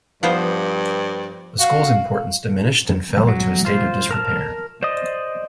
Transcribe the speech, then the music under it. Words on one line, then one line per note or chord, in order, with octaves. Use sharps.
The school's importance diminished and fell into a state of disrepair.
G2 F3 B3 C5
F#4 F5
F#3
F4 C5
A#4 A5 F6
C5 D5 D#5 D#6